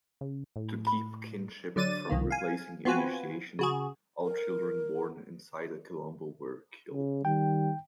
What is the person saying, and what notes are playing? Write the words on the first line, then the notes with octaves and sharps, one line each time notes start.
To keep kinship from replacing initiation, all children born inside a kilombo were killed.
C#3
A2
B5
D3 F#3 D5 A6 D#7
C2 D#3 A#3
F5 G#5
B3 C4 F4 F#4 B4 G#5
C#3 F#4 G#4
A#4
C#3
D#3 G3 G5